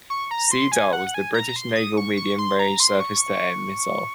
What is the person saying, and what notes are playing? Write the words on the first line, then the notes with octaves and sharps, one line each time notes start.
Sea Dart was the British naval medium-range surface-to-air missile.
C#6
A#5
C6
G#5
F#5
F#5
G#5
A#5
A#5
C6
D#6
C#6
C#6
C6
A#5
C6
C#6